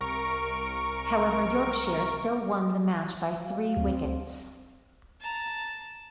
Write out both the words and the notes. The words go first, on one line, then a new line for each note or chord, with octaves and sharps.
However, Yorkshire still won the match by three wickets.
C2 A#4 C#6 D7
F#3 F5
D2 C4
A5 A#5